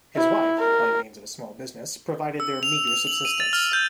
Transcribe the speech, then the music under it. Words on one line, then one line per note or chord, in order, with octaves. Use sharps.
His wife, by means of a small business, provided their meager subsistence.
E4
A#4
E6
F7
F7
F#7
D#7
A6
F6
G6